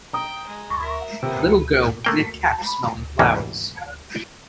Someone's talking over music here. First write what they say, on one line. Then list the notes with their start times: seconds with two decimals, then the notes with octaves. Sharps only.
Little girl with knit cap, smelling flowers.
0.13 G5 A#5 D#6
0.45 G#3
0.81 A#4 E5
1.23 C3 A#3 B3
2.05 A3 A#3 G5
3.19 D2 G#2 C3 E3 A#3 C#4